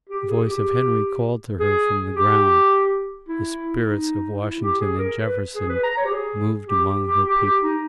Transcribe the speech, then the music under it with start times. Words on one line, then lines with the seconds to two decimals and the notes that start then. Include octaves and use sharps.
The voice of Henry called to her from the ground; the spirits of Washington and Jefferson moved among her people.
0.10 G4
0.28 G#4
0.47 G4
1.60 G#4
2.16 G4
3.29 E4
3.86 D#4
4.43 E4
4.62 G4
4.80 G#4
4.99 A#4
5.18 B4
5.55 G#4
5.69 B4
5.83 A#5
5.97 C#5
6.05 G4
6.11 G#4
6.68 G4
6.88 G4
7.06 G4
7.25 G4
7.43 G4
7.63 D#4